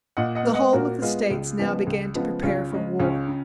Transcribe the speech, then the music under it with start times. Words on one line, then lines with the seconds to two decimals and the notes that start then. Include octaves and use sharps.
The whole of the States now began to prepare for war.
0.17 A#2 D#5 F#5
0.35 D#5 F#5
0.45 G#3 B3
0.54 D#5 F#5
0.73 A#2 F#4 A#4
1.02 G#3 B3 F4 G#4
1.31 C#2
1.59 C#3 F3 G#3 B3
1.87 C#2
2.15 C#3 F3 G#3 B3
2.43 C#2 C#4 F4
2.72 C#3 G#3
2.99 C#2 C#4 F4
3.28 C#3